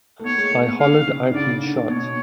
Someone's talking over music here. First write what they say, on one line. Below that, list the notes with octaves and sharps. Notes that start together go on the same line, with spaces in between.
I hollered 'I've been shot!
A3
B3 C#5
G#3
A3
B3
D3 F5
C#3
D3
C#3 D5
D3
B2 C#5